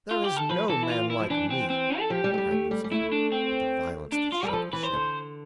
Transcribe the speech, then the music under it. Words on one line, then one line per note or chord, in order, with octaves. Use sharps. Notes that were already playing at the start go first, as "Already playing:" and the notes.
"There is no man like me," cried Lucifer, with a violence that shook the ship.
F4
G4
A4
F3 B4
E3 A4
E4
F4
E4
F3
E3 D4
C4
C4
A4
F3 G4
G3
A3
G3
A3
G3
G3
A3 E4
D4
C4
D4
F4
G3 B4
F3 A4
E3 B4
C5
D3